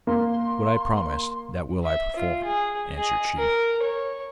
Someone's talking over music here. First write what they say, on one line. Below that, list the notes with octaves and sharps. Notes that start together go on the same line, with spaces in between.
'What I promised that will I perform,' answered she.
A#3 C6
E5
F4
G#4
G#4 D#5
A#4
C#5